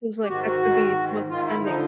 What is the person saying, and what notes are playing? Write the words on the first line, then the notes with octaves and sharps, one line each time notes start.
'Cause like that could be someone pretending.
G4
G#2 D#3 F#4
F#4
G#2 D#3
G#2 D#3
G#2 D#3 F4
E4
D3 F3 D#4